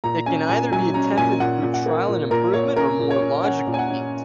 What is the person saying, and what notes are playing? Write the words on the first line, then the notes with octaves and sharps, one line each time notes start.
It can either be attempted through trial and improvement or more logical means.
A#2 A#5
C#4 G#5
A#2 G#5
F#3 G#5
C#4 A#5
A#2 G#5
A#2 F#5
A#2
F#5
A#3
A#2
A#2 A#4
A#2 C#5
C#4 A#4
A#2
C#5
C#4
C#4 F#5
A#2
G#5
F#5
C#4